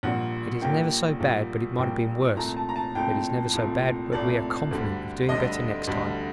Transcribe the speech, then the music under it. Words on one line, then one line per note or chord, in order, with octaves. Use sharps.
It is never so bad but it might have been worse; it is never so bad but we are confident of doing better next time.
A#1 A#2 G3 A#3 F#5
A#1 A#2 G3 A#3 G5
A#1 A#2 G3 A#3
A#1 A#2 G3 A#3 G5
C2 A#2 A3 A#5
A5
A#5
A5
C2 A#2 A3 G5
C2 A#2 A3
C2 A#2 A3 D5
D2 D3 G3
D2 D3 G3 D#5
D2 D3 G3